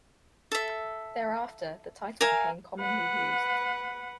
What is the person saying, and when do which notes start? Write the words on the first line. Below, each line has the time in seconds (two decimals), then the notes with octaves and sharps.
Thereafter, the title became commonly used.
0.52 A4 E5
2.21 A#4 E5 F5 G#5
2.80 B4 F#5